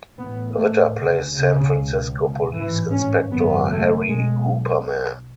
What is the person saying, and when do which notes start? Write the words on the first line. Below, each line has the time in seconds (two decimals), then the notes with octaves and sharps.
Ritter plays San Francisco police Inspector Harry Hooperman.
0.19 A1 A2 B3
0.58 A3
0.97 D2 C#3
1.36 C#3
1.76 C#2 B2
2.53 A1 G#2 E3
2.92 C#4
3.32 G#1 F#2 C#3 B3
3.71 A3
4.10 B1 B2 G#3